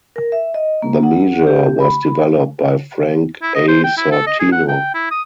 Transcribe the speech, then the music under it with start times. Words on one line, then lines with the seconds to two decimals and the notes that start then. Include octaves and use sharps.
The measure was developed by Frank A. Sortino.
0.16 A#4
0.32 E5
0.54 D#5
0.82 A#3
1.03 F#5
1.47 G4
1.80 B5
3.42 E4
3.55 D#5
3.68 C5
3.84 G5
3.97 E4
4.12 A4
4.27 D#5
4.39 G#4
4.52 F#5
4.68 G5
4.94 E4
5.11 D#6